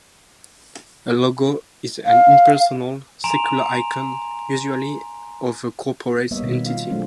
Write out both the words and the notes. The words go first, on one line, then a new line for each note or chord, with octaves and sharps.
A logo is an impersonal, secular icon, usually of a corporate entity.
F5
G#5 A#5 C6 D7 E7 F7
G3 A#3 B3 C#5 D#5 E5
B2 D#3
F4 F5
F#3 G#3 A3 C4 D4 F4